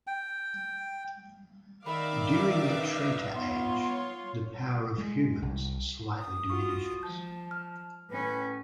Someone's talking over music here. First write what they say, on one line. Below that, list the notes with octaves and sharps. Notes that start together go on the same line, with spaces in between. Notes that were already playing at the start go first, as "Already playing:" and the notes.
During the Treta Age, the power of humans slightly diminishes.
G5
D#3 D#4 D5 E5 F5 B5 D6
B4
B3 F4 C#5 C6
G#3
C2
D#6
F4 F#4 C#6
F3 A5 G6
F6
A2 C#4 B4